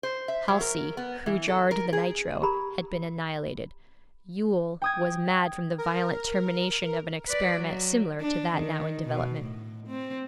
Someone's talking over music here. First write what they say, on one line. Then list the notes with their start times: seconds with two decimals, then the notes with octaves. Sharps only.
Halsey, who jarred the nitro, had been annihilated. Ewell was mad from the violent termination of an experiment similar to that now in development.
0.03 C5
0.28 E5
0.48 F#3
0.61 A#4
0.97 B3
1.26 E3
1.48 A4
1.71 A#4
1.93 G#4
2.42 G4 A#4 A#5 B5
4.82 G5 D#6 G#6
5.78 A#4
7.26 B4 D5
7.57 F#3
8.21 D4
8.56 D#3
9.05 B2
9.41 A2
9.87 C4